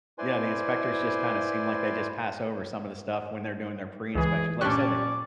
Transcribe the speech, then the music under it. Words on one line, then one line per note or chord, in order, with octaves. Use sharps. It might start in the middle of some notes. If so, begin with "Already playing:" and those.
Yeah, the inspectors just kinda seem like they just pass over some of the stuff when they're doing their pre-inspections. Like, said they
E4 B4 C5 D5 G#5 C6
C#2 E3 G#4
A#2 G3 A#3 C#4 D4 D5 C#6 F#6